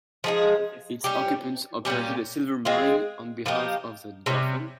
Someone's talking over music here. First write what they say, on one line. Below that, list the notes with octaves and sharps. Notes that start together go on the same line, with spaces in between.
Its occupants operated a silver mine on behalf of the Dauphin.
F3 G#3 D#4 G#4
G3 C#4 G4
A#2 G3 C#4 G4
G#3 C4 F4 G#4
F3 A#3 D#4 G4
C3 G3 C#4